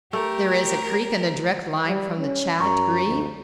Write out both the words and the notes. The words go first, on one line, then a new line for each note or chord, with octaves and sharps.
"There is a creek in a direct line from the 'Chat Gris'?"
A3 G4 A#4
G3
C#4
F#2 A#5 C#6
D2